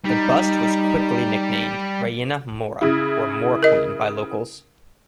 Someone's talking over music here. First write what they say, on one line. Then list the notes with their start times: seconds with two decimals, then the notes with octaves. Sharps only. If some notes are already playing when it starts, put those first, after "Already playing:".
The bust was quickly nicknamed "Reina Mora" or "Moor Queen" by locals.
0.05 G3 D#4
2.81 C#3 E4
3.63 A#4 D#5